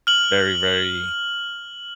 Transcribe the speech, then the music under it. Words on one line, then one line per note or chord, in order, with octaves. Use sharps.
very, very
F6 F#7